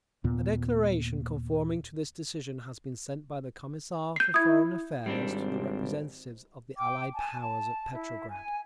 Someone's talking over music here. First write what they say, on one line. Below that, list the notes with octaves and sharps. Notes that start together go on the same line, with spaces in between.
A declaration conforming to this decision has been sent by the Commissar for Foreign Affairs to the representatives of the Allied powers at Petrograd.
D#2 A#2 B3
G6 C7
E4 D#6 G#6
G#1 G3 C4 D4
G5 D6
G#5 A5
A5
E4
G#5